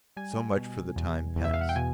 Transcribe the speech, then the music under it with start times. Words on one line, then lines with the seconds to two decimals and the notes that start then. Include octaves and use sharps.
So much for the time past.
0.17 G3 G#5
0.56 B2
0.96 E2
1.36 E2
1.45 E5
1.53 F5
1.61 F#5
1.69 G5
1.76 B2 G#5